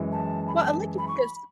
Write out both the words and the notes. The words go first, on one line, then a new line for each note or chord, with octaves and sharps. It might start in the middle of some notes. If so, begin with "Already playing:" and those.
Well, I like it because,
Already playing: F#2 E3 G#3
A5
B5
A5
B5
C#6
B5